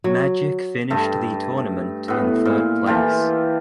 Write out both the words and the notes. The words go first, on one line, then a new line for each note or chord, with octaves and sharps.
Magic finished the tournament in third place.
F#3
G2 A3
A2 B3
A#2
E3 A3 F4 G4